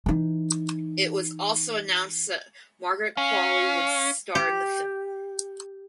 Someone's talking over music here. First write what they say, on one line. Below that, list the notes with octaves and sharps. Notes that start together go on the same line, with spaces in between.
It was also announced that Margaret Qualley would star in the film.
E3 D#4
C#4 F5
G4